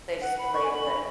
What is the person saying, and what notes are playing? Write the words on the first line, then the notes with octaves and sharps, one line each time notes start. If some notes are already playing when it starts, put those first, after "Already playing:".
They just labeled it.
F#5
B5
C#6
G#5
B5